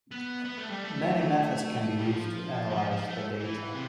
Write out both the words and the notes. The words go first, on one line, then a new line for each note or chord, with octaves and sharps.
Many methods can be used to analyse the data.
B3
B3
A3
G3
A3
G3
F3
E3
F3
F3
A3
E3
C3